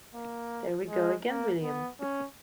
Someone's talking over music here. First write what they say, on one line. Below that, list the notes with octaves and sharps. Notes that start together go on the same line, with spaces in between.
There we go again, William!
A#3
G#3
A#3
B3
C#4